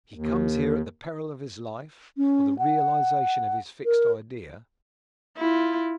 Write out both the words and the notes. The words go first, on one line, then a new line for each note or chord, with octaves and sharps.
He comes here at the peril of his life, for the realization of his fixed idea.
D#2
C#4
F#5
A#4
E4 F4